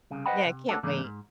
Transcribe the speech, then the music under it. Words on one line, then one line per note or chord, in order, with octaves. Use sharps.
Yeah, I can't wait.
C2 C#3
B4 C5 D#5 F#5 G5 B5
C3
A3 D4 F#4 A4
G#2 C#3 E3 A#3 D4
G#2